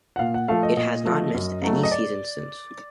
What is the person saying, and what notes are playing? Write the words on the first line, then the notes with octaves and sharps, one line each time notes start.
It has not missed any seasons since.
F#5
A#2 F5
F#5
F3 A3 F5
D#5
A#2 D#5
F3 A3
F#2
C#3 F#3 A3
D#5
D5